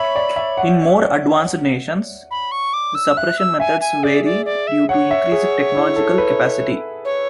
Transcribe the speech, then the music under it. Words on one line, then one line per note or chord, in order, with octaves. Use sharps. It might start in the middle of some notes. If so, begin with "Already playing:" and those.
In more advanced nations, the suppression methods vary due to increased technological capacity.
Already playing: C#5 E5 B5
D5
E5
F#5
B5
C#6
D6
E6
E5 F#6
E6
E5 G#5
G#5
G#4 D5
D5
D5
E5
C#5 F#5
E5
G#4
E4
A4
B4
C#5